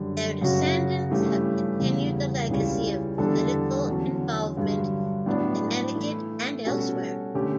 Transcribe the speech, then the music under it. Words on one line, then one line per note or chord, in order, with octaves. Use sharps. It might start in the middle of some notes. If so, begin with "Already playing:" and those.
Their descendants have continued the legacy of political involvement in Connecticut and elsewhere.
Already playing: F#2 D3 G3
F#2 C#3 F#3 C#4 F#4
G2 E3 A3 C#4 G4
E2 C#3 G3
C#2 C#3 E3 G3 C#4
E2 D3 G3 D4 A4
E2 D3 F#3 C#4 F#4
G2 D3 F#3
A2 F#3 B3 D4
E3 A3 E4
B2 G3 C#4 F#4 A4
D3 A3 C#4 G4